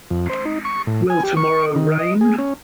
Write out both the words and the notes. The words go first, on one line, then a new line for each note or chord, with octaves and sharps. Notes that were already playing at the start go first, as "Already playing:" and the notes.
Will tomorrow rain?
F2
C5
D#4
C#6
A2
G#5
G4
C#6
D#3
D#5
G#4
C#4